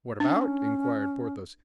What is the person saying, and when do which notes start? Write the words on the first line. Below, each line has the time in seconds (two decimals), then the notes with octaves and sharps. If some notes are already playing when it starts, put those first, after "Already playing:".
"What about?" inquired Porthos.
0.20 C#4 D4